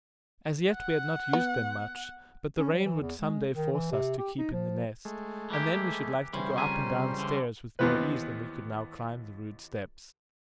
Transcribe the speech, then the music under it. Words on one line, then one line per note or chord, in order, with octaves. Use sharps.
As yet we had not used them much, but the rain would some day force us to keep in The Nest, and then we should like to go up and down stairs with more ease than we could now climb the rude steps.
F#5
B3
C#4
F#3
E3
E2
G#3
D#3
E3
C3
G4
D#4
F3
G#3 A3
E3 A#3 G4
C#3 E3 G3 C5
F2 A#4 G#5
D3 E3
D#2 E3 B3 C4 B4